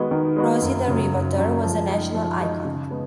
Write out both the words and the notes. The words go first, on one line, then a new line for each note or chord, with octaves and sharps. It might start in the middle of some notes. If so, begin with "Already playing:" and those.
Rosie the Riveter was a national icon.
Already playing: D#3 G#3 B3 F#4
D#3
G#3 B3 F#4
F#2
C#3 F#3
F#2
C#3 F#3
F3
G#3 D#4
F3
G#3 D#4
C#3
G#3 B3